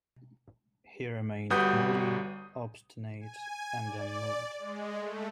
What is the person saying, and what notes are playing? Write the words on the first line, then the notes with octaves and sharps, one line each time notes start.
He remained moody, obstinate, and unmoved.
G1 G3 F#4 B4 D#6 G6
G#5
D5
G#3
A3